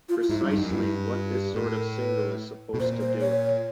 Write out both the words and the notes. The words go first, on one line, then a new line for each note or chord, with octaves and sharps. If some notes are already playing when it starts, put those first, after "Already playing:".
Precisely what this sort of single is supposed to do.
F4
F4
G#2 E4
G2
D#4
F#2
G2 E4
F4
G4
A2 A4
A#4
B4
B2
A#2 C5
C5
C#5